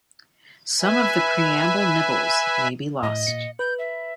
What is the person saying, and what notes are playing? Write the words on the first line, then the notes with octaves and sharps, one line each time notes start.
Some of the preamble nibbles may be lost.
B4 E5 G#5
A2 D#5
A#2 C#7
B4 G6
E5